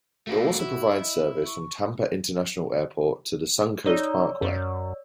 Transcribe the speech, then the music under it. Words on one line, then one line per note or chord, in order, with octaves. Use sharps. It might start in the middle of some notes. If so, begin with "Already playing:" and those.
It also provides service from Tampa International Airport to the Suncoast Parkway.
A3 A#3 E4 F#4
E4
D#5
C#6
D#4 C#5 D5 E6
F#2